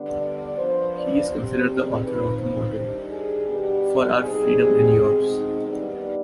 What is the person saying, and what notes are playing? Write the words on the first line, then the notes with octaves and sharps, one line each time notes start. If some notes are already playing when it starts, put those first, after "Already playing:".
He is considered the author of the motto: "For our freedom and yours".
Already playing: D3 G3 B3 D4
D5
F3 B3 D4 C5
D5
C3 G3 C4 C5
G#4
F3 C4 D#4 B4
C5
D#3 G3 D4
G#4
B2 G3 B3 D4 G4
C3 G3 C4 D#4 G#4
B2 G#3 C4
D#4
D#3 G3 B3 D4